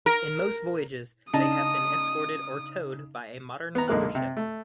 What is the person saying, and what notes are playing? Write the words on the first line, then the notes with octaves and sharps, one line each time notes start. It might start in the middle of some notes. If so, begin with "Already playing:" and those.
In most voyages they have been escorted, or towed, by a modern mother ship.
A#4
C#3 D4 D#4 D#5 A5 A#5 D#6
B3 A#5
B1 D3 G#3 A#3 A#4 F#6
C3
A3